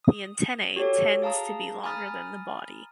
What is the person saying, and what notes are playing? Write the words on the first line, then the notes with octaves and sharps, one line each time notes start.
The antennae tends to be longer than the body.
D#6
F#4 G4 A4 C#5
G#4 F5 A5 A#5 D#6
G#5 A#5 B5 D#6 F6 A6